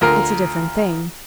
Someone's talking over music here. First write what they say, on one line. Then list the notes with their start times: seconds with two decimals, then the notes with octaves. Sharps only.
It's a different thing.
0.01 D2 F4 A#4